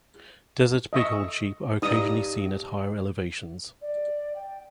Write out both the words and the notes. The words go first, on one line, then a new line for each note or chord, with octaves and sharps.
Desert bighorn sheep are occasionally seen at higher elevations.
D#5 E5 C#6
G2 D#4 D#6
D5
G5